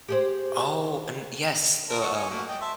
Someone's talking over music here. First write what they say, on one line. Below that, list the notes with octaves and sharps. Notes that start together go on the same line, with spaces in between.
Oh, and yes. The, um,
G4 G#4 C5
A#4 C5 A5
A4 F#5 C#6
C#5 D#5 G#5
A3 A#3 F#4
D#5 G5
E5 A5 C6